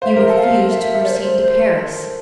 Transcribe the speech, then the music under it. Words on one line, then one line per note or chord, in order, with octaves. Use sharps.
You refuse to proceed to Paris.
C5 E5 F5
A#4
A4
F5
A#4
E5
D5
C5
C5